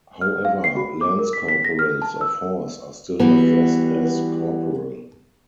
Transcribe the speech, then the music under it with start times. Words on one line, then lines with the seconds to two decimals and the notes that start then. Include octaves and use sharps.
However, lance corporals of horse are still addressed as "Corporal".
0.21 F6
0.45 F5
0.64 C7
0.77 F#4
1.01 D6
1.19 A#4
1.33 B6
1.48 B6
1.64 A#6
1.79 F6
2.02 A5
2.21 E6
3.20 E3 G3 B3 F#4 B4